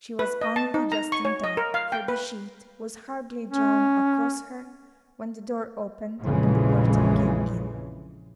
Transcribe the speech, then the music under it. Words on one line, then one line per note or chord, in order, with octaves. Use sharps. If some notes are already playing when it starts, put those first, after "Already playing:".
She was only just in time, for the sheet was hardly drawn across her when the door opened and the porter came in.
B4
D#5
A5
D#4
A#5
C#6
C#5
D#5
A#4
F5
G5
B4
C#4
A#1 F2 C#3 E3 G#3